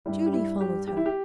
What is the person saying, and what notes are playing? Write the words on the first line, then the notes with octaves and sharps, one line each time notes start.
Julie followed her.
G2 G3 E4
G4
E4
G4
G4
E4
G4